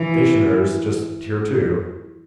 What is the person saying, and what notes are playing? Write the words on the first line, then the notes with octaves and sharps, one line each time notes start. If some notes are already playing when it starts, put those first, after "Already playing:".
Stationer's just here too.
Already playing: E3